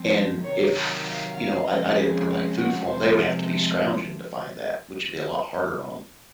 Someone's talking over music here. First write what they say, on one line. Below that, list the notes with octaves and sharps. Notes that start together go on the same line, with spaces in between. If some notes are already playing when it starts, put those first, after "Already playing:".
and if, you know, I I didn't provide food for 'em, they would have to be scrounging to find that, which would be a lot harder on 'em.
Already playing: F3 G#3 C4
C3 D#3 F#3 C#5
F5
F5
C#3 F3 G#3 C4 D#5
G#4
F#4
C3 F3 G#3 C4 C5